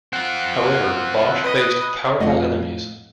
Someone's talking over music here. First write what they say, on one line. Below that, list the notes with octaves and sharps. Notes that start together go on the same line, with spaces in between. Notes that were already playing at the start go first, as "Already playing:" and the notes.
However, Bosch faced powerful enemies.
C4 F4 F#5
B4 D#5
F2 A2 D#5 F5 F#5